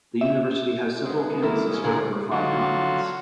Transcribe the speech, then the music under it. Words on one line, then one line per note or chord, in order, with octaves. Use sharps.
The university has several campuses spread over five continents.
E5
G#3 B3
D3 D#3 G3 A#3 E4 A4
F2 C#4
A#2 D3 G#4 A#4 D5
D3 F#3 F4 F#4